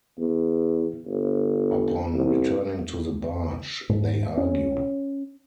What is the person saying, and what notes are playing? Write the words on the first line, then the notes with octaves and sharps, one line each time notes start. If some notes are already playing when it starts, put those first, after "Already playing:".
Upon returning to the barge, they argue.
E2
G1
C2
G#2
C#4